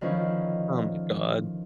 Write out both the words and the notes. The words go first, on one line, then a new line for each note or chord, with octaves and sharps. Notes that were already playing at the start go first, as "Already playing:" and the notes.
Oh, my god.
D3 D#3 F3 C#4 E4